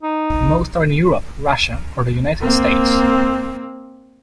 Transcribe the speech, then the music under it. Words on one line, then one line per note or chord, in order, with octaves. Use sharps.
Most are in Europe, Russia, or the United States.
D#4
A#3 C4